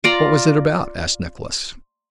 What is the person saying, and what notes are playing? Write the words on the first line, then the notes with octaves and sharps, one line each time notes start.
"What was it about?" asked Nicholas.
F4 D5 A#5